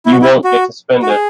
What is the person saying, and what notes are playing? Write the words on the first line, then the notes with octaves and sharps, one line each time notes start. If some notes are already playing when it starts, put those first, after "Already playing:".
You won't get to spend it.
E4
F#4
E4
F#4
F#4
G#4